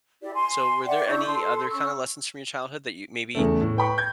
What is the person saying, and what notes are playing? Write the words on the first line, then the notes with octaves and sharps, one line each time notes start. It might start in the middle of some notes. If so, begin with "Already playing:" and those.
So, were there any other kinda lessons from your childhood that you maybe
E4 G4 D5
G#5 C6
D5 E5 F#5 G5
D4 E4 C#6 G6
A4 C6
C#4 C#6 E6
E2 C#3 A3
A2
B4 G5 B5 C#6
G6 G#6